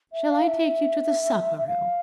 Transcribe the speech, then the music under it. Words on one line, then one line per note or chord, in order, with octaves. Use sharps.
Shall I take you to the supper-room?'
E5
F5
E5
E5
F5